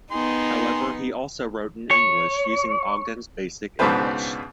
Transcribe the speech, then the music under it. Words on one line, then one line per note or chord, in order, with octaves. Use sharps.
However he also wrote in English, using Ogden's Basic English.
D#3 B3 D#4 G#4 C6
C#5
C#2 G#2 B2 D4 B4 C5